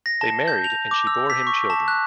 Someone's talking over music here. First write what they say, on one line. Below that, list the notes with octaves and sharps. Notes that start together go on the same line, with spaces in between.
They married, and she bore him children.
A#6
A5
G6
F7
D6
E6
B6
C#6
A5
F#6